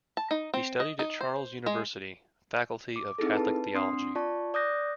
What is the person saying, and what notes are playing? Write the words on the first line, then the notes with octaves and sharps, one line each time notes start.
He studied at Charles University, faculty of Catholic Theology.
A5
D#4
C4
D#5
D#4
C5
G#3
D6
C4 D#4 E4 G#4 A4
B4 A5
C4 D4 C6 D#6 C7
F4 D5 A5 C#6
D5 D6 D#6 F#6 G6 A#6